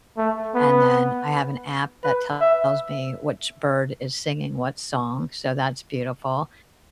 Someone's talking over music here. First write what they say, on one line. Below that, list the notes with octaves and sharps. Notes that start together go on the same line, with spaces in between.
and then I have an app that tells me which bird is singing what song, so that's beautiful,
A3
B3
B4
E5